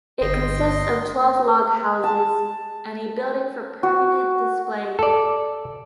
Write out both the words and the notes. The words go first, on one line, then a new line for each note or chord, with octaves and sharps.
It consists of twelve log houses, and a building for permanent displays.
G1 D#5 G5 C6
A5
F#4
A4 D5